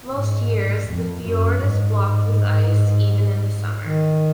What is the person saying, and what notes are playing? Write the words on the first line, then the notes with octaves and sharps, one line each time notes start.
Most years the fjord is blocked with ice even in the summer.
G#2
F2
F#2
G#2
D#3